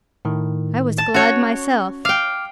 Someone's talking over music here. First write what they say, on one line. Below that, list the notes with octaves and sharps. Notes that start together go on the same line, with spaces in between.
I was glad myself.
A2 D#3
A5
C#4 F#4 C#5
F5 G5 D6 F6